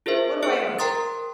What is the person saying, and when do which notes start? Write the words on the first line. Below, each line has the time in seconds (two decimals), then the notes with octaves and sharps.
"What do I owe you?"
0.06 F4 G#4 A#4 C5 E5
0.42 G#4 C5 F#6
0.79 A#4 G5 A#5 C6 D#6 A6